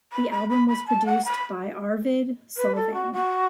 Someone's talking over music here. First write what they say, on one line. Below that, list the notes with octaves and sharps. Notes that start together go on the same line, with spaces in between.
The album was produced by Arvid Solvang.
B5
B5
B5
B5
A5
F#5
B5
B4
A4
F#4
F#4